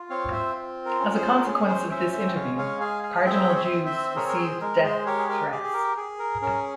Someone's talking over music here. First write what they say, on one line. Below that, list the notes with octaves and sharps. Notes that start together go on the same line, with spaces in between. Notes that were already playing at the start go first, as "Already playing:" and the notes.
As a consequence of this interview, Cardinal Joos received death threats.
Already playing: F4
C4 C#5 F5
C5 E5
F4
A#4
C#4
G#4 C5
A#4
C#4 G#4
G#4 C5
C#4 C5 E5
C5 E5
G5
G#3 C#5 F5
C#5 F5
G#4 F5 G#5
F5 G#5
C4 E5 G5
C#5
C5 E5
C4
C5 E5
C5
G#4 A#4 C#5
A#4
G#4 C5
G#3 A#4
G#4 C5
G4 A#4 C#5
G#4
A#4
G4 G#4
G#4
A#4
G#4
A#4
C#4 A#4